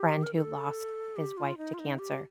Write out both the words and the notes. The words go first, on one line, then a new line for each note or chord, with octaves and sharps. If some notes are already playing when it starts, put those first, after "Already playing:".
friend who lost his wife to cancer,
Already playing: G4
A#4
A4
G4
F4
D#4
F4
D#4
G4